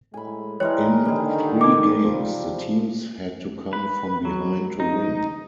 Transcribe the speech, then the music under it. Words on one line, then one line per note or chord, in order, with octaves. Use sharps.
In three games the teams had to come from behind to win.
A2 G#3 G#5 B5
E3 G3 G#3 A#4 C#5
D3 D#3 G3 G#4
D#4 D6
C3 F3 G3
B4
F#3
D#4